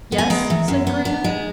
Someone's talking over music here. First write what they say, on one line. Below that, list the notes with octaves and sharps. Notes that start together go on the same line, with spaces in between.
"Yes?" said Graham.
B3
G#5
G#3 A#5
E3
F#2
B3
B3
G#3